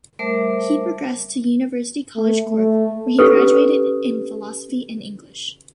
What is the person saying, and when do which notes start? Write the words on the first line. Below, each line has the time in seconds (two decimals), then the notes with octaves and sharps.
He progressed to University College Cork where he graduated in Philosophy and English.
0.19 G3 A3 A#4 C5 E5 D6
2.16 A3
2.48 A3
3.19 C#4 G4 A4 B4